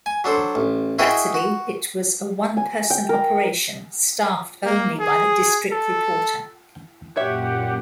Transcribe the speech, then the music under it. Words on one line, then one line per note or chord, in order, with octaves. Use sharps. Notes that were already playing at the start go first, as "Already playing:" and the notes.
Latterly, it was a one-person operation staffed only by the district reporter.
G#5
F#3 D4 A4 C5
A1
E4 F#4 G#4 A#4 D#5 G5
F#4
G#5
G5
A#4
A#3
G#4
A4
F#2 A#2 F#4 G4 C#5 E5 F#5